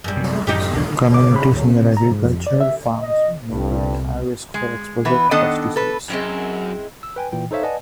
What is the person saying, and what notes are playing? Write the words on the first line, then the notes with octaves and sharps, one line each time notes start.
Communities near agricultural farms may be at higher risk for exposure to pesticides.
F#2 G3
C3 F#3
F#2 A2 C3 D#4 G4
B1 E2 D4
D6
B5
D2
C4
A#5
G#2
F2
D5
E5
D#5
G1 C2 G2
G#3
E3 B3 B4
D#3 B3 D4 A4 D#5 F#5
A4 B4
F#2 G#3 C4 E4
E6
B4 G5 G#5
A#2 E3 G5
D#4 A4 C5 C#5 E5 F5
B4 D5 D#5 F#5 G#5 A5